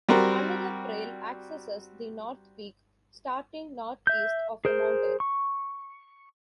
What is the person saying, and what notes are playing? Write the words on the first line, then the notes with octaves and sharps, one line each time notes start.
Another trail accesses the North peak, starting Northeast of the mountain.
G3 C4 F#4 A#4
E5 G6
G#4 A#4 C5
C#6